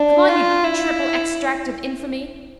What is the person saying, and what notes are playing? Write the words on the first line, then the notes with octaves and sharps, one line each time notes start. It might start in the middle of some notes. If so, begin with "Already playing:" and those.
Come on, you triple extract of infamy!
Already playing: D4
F4
E4